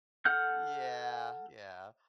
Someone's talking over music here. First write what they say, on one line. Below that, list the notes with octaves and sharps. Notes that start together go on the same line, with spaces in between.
Yeah. Yeah.
A4 F#5 F6 G6